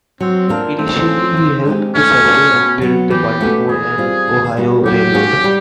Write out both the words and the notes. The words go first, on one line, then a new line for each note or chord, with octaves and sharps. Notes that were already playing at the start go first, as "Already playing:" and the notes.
Initially he helped to survey and build the Baltimore and Ohio Railroad.
F#3 C4
A#3 D4 F4 A#4
A3 C4
C#4 F4
D#3
G#3 C4 D#4 G4
A3 C#4
D4 F4 A#4
B2
F#3 B3
E3 G4
A3 C#4 F#4 B4
E3 G#4
G3 C4 F4
D#3
G3 A#3 C#4 F#4
F#3 G4
A#3 C#4 F#4
G3